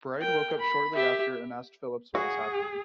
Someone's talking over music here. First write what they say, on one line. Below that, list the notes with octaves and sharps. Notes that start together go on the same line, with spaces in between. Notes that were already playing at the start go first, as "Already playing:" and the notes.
Bride woke up shortly after and asked Phillips what was happening.
A#4 G5
B5
G4 E5
F#4 G#4